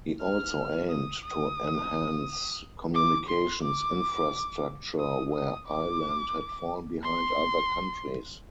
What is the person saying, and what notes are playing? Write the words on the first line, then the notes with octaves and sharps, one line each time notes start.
He also aimed to enhance communications infrastructure where Ireland had fallen behind other countries.
F6
D#6
D#6
D6
C6
D6
D#6
D#6
D6
C6